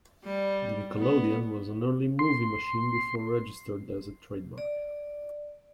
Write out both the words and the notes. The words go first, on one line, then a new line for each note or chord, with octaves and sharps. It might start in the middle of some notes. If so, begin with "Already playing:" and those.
"Nickelodeon" was an early movie machine before registered as a trademark.
G3
B3
C6
D5